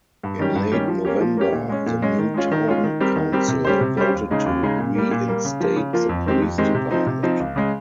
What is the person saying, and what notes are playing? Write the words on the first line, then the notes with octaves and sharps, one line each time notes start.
In late November, the new town council voted to reinstate the police department.
G2
D#3 G3 C#4 G4
G2
D#3 G3 C#4 G4
F3
A#3 C#4 G4
F3
A#3 C#4 G4
A#2
G#3 C#4
A#2
G#3 C#4
D#3
G#3 C#4 F4
D#3
G#3 C#4 F4
D#3
G3 C4 G4 A#4
D#3
G3 C4 G4 A#4
C3
G3 C#4 G4 C5
C3
G3 C#4 G4 C5
D#2
C#3 G#3 D#4 G#4
D#2
C#3 G#3 D#4 G#4
A#2
G3 A#3
A#2
G3 A#3
C#3
F3 A#3 F4
C#3
F3 A#3 F4
F2
D#3 G#3 C4 G4
F2
D#3 G#3 C4 G4
C3
F3 C4 D#4
C3
F3 C4 D#4
C#2
C#3 G#3